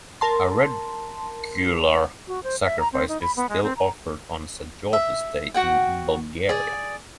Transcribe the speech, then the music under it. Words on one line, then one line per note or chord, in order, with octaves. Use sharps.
A regular sacrifice is still offered on St. George's Day in Bulgaria.
A#4 A5 C6
F#4
C5
E5
A#5
C4
D#4
B5
B3
G#3
C4
A#5
E5
F#4 F#5 G5
G#4 D5